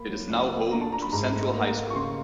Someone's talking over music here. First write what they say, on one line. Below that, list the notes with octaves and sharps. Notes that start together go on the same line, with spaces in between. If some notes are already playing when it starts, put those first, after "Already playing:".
It is now home to Central High School.
Already playing: A#3 B5
F#3
C#2
A#3
D4 A#5
A5
D4 A#5
B5
G#2 A#5
A3
A#3
A#3
C#6
C#3 C6